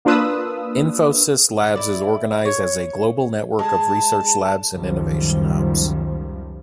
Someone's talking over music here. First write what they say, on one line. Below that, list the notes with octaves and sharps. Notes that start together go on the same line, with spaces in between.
Infosys Labs is organized as a global network of research labs and innovation hubs.
A#3 D4 F4 B4 D#6 E6
E4 D5
C#5
G#3 G#4 A5
C#2 F#2 D#3 F3 G3